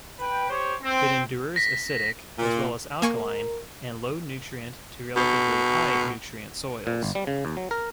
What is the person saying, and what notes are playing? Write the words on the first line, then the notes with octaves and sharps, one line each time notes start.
It endures acidic as well as alkaline and low-nutrient to relatively high-nutrient soils.
B4 G5
G4 C5 C#5
C4
A#6 B6
A#2
A#3 A#4 G#5 C#6
B2
A#2
G1
G3
C#3
D#2
F#3
A#4